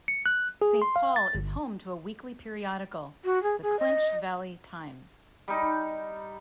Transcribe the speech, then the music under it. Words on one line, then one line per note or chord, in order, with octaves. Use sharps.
Saint Paul is home to a weekly periodical, the "Clinch Valley Times".
C#7
F#6
G#4
C6
F5
A6
G1
F#4
G#4
G#4
D#5
G3 D#4